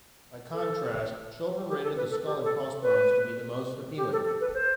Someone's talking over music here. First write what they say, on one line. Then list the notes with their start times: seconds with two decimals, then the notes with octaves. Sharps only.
By contrast, children rated the skull-and-crossbones to be the most appealing.
0.54 A4
1.69 G4
1.83 A4
1.97 B4
2.11 A4
2.25 G4
2.44 A4
2.82 B4
3.97 G4
4.12 A4
4.25 A4
4.40 B4
4.54 C5